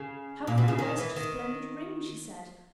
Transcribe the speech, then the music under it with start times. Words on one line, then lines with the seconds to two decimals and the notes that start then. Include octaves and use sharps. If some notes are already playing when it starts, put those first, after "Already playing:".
"How can I wear such a splendid ring?" she said.
Already playing: C#3
0.47 A#2
0.58 B2
0.68 C#3
0.79 D#3
0.98 E3
1.16 D#3